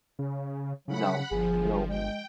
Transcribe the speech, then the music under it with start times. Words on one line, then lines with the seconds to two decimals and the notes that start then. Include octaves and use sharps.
No. Nope.
0.19 C#3
0.88 C#3 F#3 F#5 B5
1.31 G1 F3 G#4
1.89 G#3 G5